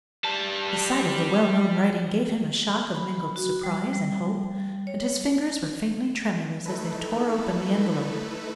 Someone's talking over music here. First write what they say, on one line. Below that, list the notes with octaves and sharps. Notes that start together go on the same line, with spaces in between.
The sight of the well-known writing gave him a shock of mingled surprise and hope, and his fingers were faintly tremulous as they tore open the envelope.
G3 A5
B5
F#4
G3
G3
C#5
A3 D#4 E4 A4 B4